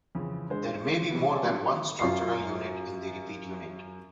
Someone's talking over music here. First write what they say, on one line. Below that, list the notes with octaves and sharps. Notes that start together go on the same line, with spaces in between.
There may be more than one structural unit in the repeat unit.
F2 C#3 E3
D3 G#3 C5
C3 E3 F3 G3 B3
G#4 C#5 D5 G#5 A5 D6
D3 F#3 G3 A3 B3
F#2 F4 C7